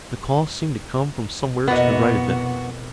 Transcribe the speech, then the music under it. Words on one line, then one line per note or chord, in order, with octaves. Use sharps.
The call seemed to come from somewhere to the right of them.
F2 B2 A#3 B3 E4 F#4 D#5